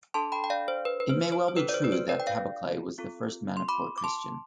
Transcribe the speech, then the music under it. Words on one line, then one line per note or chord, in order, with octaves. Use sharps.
It may well be true that Kaboklei was the first Manipur Christian.
D4 A4 A5 C6
G5 B5
G5
D5 F5
C5
B4
B4
C5
C5
C5
D4 F4 A4 B4
D5
C5
B4
C5
B4 D5
G5
D5 F5
C4 F4 A4
C6
B5 D6
D6
A5 C6